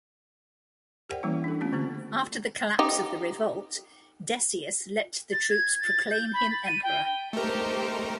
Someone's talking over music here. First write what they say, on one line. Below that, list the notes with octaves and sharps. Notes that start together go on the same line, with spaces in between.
After the collapse of the revolt, Decius let the troops proclaim him Emperor.
G4 A#4 C5 D5 F#5 G5
E3 G3 A#3 C#4 E4
D4 A4
A3 B3 C#4 F4 G4
D3 A#3 C4 G4
D#4 G4
A6
G#6
A6
G6
B5
A6
D#7
G5
A3 D#4 G4 A#4 C5